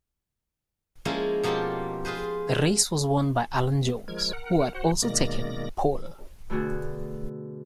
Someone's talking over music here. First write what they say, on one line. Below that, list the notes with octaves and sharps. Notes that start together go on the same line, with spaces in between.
The race was won by Alan Jones, who had also taken pole.
F3 G#3 A#3 C#4 E4
B2 F3 A#3 F4 G4 A4
F4 G#4 B4 C5
F3 G#3 A#4 G#6
A#4 F#5
F#4 C5 F#5
B2 D#3 G#3 A#3 D5 A#6
B2 D3 A3 D4 F#4 G#4